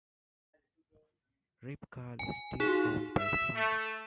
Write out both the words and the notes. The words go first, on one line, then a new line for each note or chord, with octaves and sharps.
Rip Curl is still owned by the founders.
G#5
D#4 F4 F#4 G#4
E5
A3